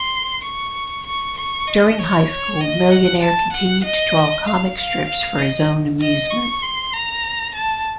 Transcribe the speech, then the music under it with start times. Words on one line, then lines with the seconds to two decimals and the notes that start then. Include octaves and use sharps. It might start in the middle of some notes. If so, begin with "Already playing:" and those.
During high school Millionaire continued to draw comic strips for his own amusement.
Already playing: C6
0.44 C#6
1.06 C#6
1.37 C#6
1.68 D#5
1.99 C#5
2.30 C#5
2.60 D#5
2.91 F#5
3.23 A5
3.53 F#5
3.84 D#5
4.46 F5
4.77 F5
5.08 F5
5.38 D#5
6.01 D#5
6.31 C#6
6.62 C6
6.93 A#5
7.55 A5